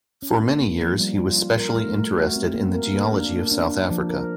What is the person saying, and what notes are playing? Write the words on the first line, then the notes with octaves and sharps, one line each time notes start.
For many years he was specially interested in the geology of South Africa.
C#4
A#3
A#3
F3
G3
F4
F4
A#4
A3
A3
F#4
C4
A#3
A#4
A#3
D4
A#3
D4
D4
F3
A#4